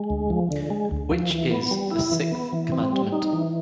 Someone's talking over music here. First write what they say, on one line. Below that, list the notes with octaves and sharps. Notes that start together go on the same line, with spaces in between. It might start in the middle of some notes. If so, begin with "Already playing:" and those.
Which is the sixth commandment?
Already playing: G#3
D2
F3
D3
G#3
D2
F3
E3
B3
G3
E4
E3
B3
E3
C4
G3
D#4
E3